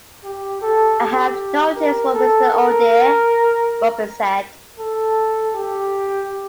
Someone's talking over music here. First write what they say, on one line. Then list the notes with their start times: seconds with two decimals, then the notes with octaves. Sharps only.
"I have no tears for Mr. Odeh," Rubin said.
0.24 G4
0.61 A4
1.00 G4
1.76 A#4
2.14 A4
2.52 A#4
4.79 A4
5.55 G4